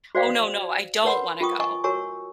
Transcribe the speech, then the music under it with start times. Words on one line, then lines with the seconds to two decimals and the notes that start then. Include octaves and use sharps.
"Oh, no, no, I don't wanna go,"
0.15 F#4 C5 D5 D#5 F5 G5
0.60 D5
1.04 A#4 B4 C#5 F#5 B5 C6
1.41 F4 A#4 G5 B5 C#6 D#6
1.60 D#5 G#5 C#6
1.84 F#4 A#4 C#5 G#5 C#6 E6